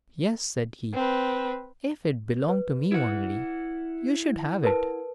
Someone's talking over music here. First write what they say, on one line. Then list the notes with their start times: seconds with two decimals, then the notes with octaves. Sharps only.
"Yes," said he, "if it belonged to me only, you should have it."
0.94 C4 B4
2.49 B4
2.92 E4 F#5
4.64 A#4 B4 A5